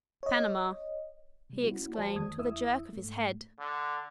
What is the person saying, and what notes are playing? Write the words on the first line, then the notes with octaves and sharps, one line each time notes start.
"Panama!" he exclaimed, with a jerk of his head.
C#5 D#5
C3 G3
A#3 C#4 E4 F#4
D2 F3 F#4 C5 D5 A5
F2 D#3 A3 D#6 G#6
E2 E4 E5 D#6 E6
G#2 A3
D3